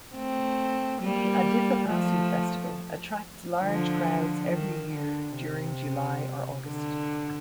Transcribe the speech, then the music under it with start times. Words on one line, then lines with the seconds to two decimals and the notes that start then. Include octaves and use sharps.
The Adithapasu festival attracts large crowds every year during July or August.
0.15 A3 C4
1.02 G3 A#3
1.88 F3 A3
3.62 D3 F3
4.50 D#3
4.93 D3
5.36 C3
6.66 D3